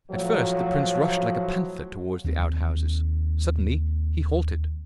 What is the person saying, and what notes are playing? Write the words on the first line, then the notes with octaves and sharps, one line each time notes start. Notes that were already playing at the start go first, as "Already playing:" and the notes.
At first the prince rushed like a panther toward the outhouses. Suddenly he halted.
A2 F3 F#3
D#2 C4